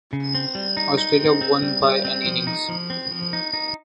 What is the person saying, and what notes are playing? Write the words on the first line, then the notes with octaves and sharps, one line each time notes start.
Australia won by an innings.
C#3
C4
G3
D#4
D#4
C4
C4
G3
G3
C4
F3
D#4
F3
C4
F3
D#4
D#4